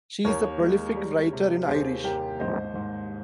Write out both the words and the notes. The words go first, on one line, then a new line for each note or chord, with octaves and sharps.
She is a prolific writer in Irish.
D#2 A#4 C#5
G#3
G3
C3
D#2 G#4 C5
D#2 G4 A#4
G#2 C5 D#5
G#2